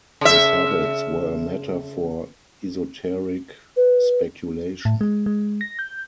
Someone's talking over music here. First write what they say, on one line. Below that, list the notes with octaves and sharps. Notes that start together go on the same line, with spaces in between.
His habits were a matter for esoteric speculation.
C#3 E5
B4
A2
G#3
G#3
A#6
G6